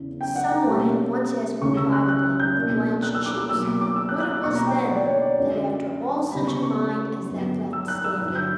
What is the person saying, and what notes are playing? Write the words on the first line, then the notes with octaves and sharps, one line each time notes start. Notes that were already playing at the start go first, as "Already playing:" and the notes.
Some one had once asked me privately, with blanched cheeks, what it was then that after all such a mind as that left standing.
Already playing: E2 C#3 E3
G5
F#5
A#5
B2 G3 A#3 C#4
C#2 C#3 G3 C#4 C#6
E6
F#6
F#6
F#6
G6
B2 A#3 D4
F#6
E6
D6
E6
B2 F#3 A#3 E6
D6
D6
E6
F#6
F#6
D6
B2 A#3 D4 C#6
A#5
G5
F#5
D5
C#5
D5
F#2 D3 F#3
C#3 G3 B3 B5
C#6
C#6
G2 D3 F#3 B3
E6
F#6
E6
G2 D3 F#3 F#6
G6